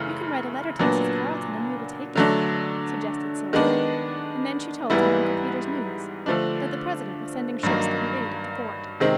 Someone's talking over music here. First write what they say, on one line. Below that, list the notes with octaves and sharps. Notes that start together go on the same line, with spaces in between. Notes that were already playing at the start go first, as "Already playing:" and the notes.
"You can write a letter to Mrs. Carleton and we will take it," suggested Sylvia, and then she told him Uncle Peter's news: that the President was sending ships to the aid of the fort.
Already playing: F#2 C#3 E3 A3
A#2 F#3 B3 D4
D3 F#3 A3 D4
D#3 G#3 B3 D4
G#2 E3 G3 B3 E4
D3 F3 A3 D4
G2 D#3 F#3 A#3
C3 D#3 G#3 C4